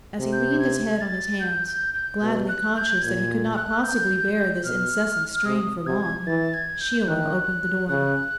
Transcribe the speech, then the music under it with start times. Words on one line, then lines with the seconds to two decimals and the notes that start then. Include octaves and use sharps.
As he leaned his head on his hands, gladly conscious that he could not possibly bear this incessant strain for long, Sheila opened the door.
0.19 C3
0.32 G6
0.60 G#6
1.01 A6
1.40 G6
1.68 G6
1.95 G6
2.22 B2
2.49 F#6
2.76 G6
3.03 A#2 G#6
3.57 F#6
3.84 G6
4.65 B2 F6
5.46 C3 D#6
5.86 C3 G#6
6.27 E3 A6
6.54 G#6
6.81 G6
7.01 G6
7.07 D#3 F#6
7.89 C#3 F#6